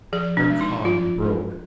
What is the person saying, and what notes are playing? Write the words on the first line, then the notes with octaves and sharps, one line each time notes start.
Her calm broke.
F3 G#4
D4
G#3 D4
D#4
F3 F4
G#3 D4